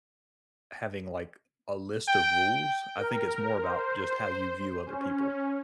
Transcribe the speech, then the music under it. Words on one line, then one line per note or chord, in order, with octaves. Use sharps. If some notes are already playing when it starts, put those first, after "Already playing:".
having like a list of rules, I think it's more about just how you view other people,
G5
A#4
C5
C#4